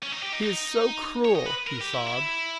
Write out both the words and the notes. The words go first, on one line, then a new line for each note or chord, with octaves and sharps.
"He is so cruel!" he sobbed.
C#4
D#4
G4
D#4
D#4
C#5
D#5
B4
A#4
G4
E4
E4